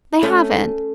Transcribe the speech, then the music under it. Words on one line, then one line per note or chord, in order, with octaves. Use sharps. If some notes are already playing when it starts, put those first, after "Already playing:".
They haven't.
A3 C#4